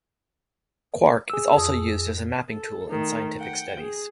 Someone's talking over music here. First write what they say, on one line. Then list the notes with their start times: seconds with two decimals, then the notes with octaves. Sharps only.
QuArK is also used as a mapping tool in scientific studies.
1.30 G#4 E6
1.56 F2 D#6
2.51 A4
2.90 D#3 A3
3.40 F#5 G5
3.80 G#4